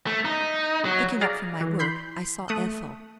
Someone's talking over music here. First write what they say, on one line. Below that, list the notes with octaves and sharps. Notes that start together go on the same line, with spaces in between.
Looking up from my work, I saw Ethel.
A3
D#4
F#3
G#4 D5 F5 A#5
E3
B5 C6 G6 B6
A3 D#6 F#6